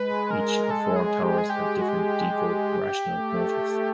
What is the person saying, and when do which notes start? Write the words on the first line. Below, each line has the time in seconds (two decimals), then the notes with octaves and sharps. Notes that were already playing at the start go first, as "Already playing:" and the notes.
Each of four towers have different deco rational motifs.
Already playing: G#3 B4
0.31 A#4
0.71 A4
0.96 G#4
1.23 G4
1.38 G#4
1.50 G4
1.82 F#4
1.88 G4
3.06 A3